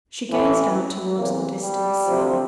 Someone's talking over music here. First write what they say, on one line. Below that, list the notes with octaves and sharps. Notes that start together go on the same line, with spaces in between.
She gazed out towards the distant sea.
A1 A2 E3
E2 C3 E3 A#3
G3
D2 C3 F3